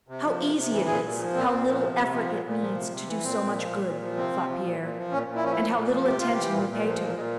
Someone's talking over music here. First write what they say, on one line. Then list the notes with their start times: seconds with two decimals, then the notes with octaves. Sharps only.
"How easy it is, how little effort it needs, to do so much good," thought Pierre, "and how little attention we pay to it!"
0.08 C3
0.24 F3
0.40 C3
0.56 C3
0.71 E3
0.87 A#2 G#4
1.02 A#2
1.19 F3
1.34 A#2 C4
1.50 A#2
1.65 F3
1.81 C3
1.97 C3
2.13 F3
2.28 A#2
2.44 A#2
2.60 F3
2.76 C3
2.91 C3
3.07 E3
3.23 A#2 C4
3.39 A#2
3.54 F3
3.70 A#2
3.85 A#2
4.01 F3
4.17 C3 C4
4.33 C3
4.49 F3
4.64 A#2
4.80 A#2
4.96 F3
5.12 A#2 C#4
5.27 A#2
5.36 E4
5.44 F3 C#4
5.52 E4
5.58 A#2
5.74 A#2
5.90 F3
6.05 C3 G4
6.20 C3 F4
6.33 E3 G4
6.53 A#2
6.69 A#2
6.84 F3
7.00 A#2 G#3
7.15 A#2 G#3